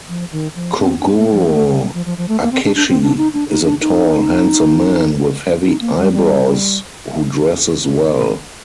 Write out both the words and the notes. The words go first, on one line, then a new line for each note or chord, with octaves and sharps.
Kogoro Akechi is a tall, handsome man with heavy eyebrows who dresses well.
F3
D#3
F3
C4
D4
C4
A#3
F3
A3
G3
F3
F3
F3
A3
A#3
C4
D4
D4
C4
D4
D#4
D4
D#4
D4
D#4
D#4
A#3
G3
G3